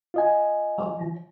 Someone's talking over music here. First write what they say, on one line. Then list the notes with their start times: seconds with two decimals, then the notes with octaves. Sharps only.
Oh, really?
0.14 F4 D#5 G#5